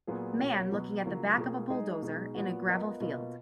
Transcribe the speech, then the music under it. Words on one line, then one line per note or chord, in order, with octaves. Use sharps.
Man looking at the back of a bulldozer in a gravel field.
A#2 F#3 B3 F4 G#4
B2 A#3 C#4 F#4 C#5
B2 F#3 B3
C#3 F#3 A#3 F4
B2 A#3 F4 G#4
G#3 D#4 G#4 D#5
B2 G#3 D#4 G#4
A#2 F3 B3 F#4
B3 F4 A#4 D#5
B2 A#3 F4 B4 D#5